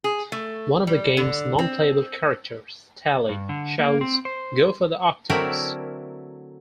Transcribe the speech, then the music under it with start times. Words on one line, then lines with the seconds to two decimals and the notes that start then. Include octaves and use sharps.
One of the game's non-playable characters, Tali, shouts Go for the optics!
0.04 G#4
0.32 A3
0.87 G3
1.17 D3
1.59 C4
3.29 G2
3.49 D3
3.79 A#3
4.01 C4
4.25 C5
5.30 D3 F#3 A3 C4 E4 A#4